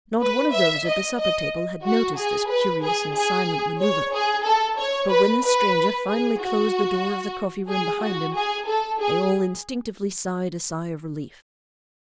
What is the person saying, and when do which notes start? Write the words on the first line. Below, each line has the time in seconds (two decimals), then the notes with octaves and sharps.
Not one of those at the supper table had noticed this curious and silent manoeuvre, but when the stranger finally closed the door of the coffee-room behind him, they all instinctively sighed a sigh of relief.
0.21 B4
0.54 E5
0.87 D#5
1.19 D#5
1.84 F#4
2.17 G#4
2.49 B4
2.82 G#4
3.15 G#4
3.80 C#5
4.13 G#4
4.45 A4
4.78 C#5
5.09 B4
5.43 B4
6.07 G#4
6.40 F#4
7.70 G#4
8.02 F#4
8.35 G#4
8.68 A4
8.99 G#4